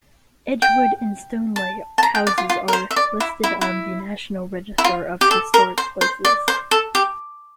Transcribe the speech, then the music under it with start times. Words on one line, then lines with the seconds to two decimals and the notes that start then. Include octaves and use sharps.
Edgewood and Stoneleigh houses are listed on the National Register of Historic Places.
0.62 G5
1.56 A5
1.98 A5
2.03 A#5
2.15 G5
2.27 D5
2.38 F4
2.50 F4
2.68 A#4
2.73 C5
2.91 E5
2.96 D5
3.20 E4
3.44 E4
3.61 E4
4.78 E4
4.84 F4
5.21 G4
5.31 A4
5.54 A#4
5.78 C5
6.01 C5
6.25 D5
6.48 C5
6.71 A4
6.95 G4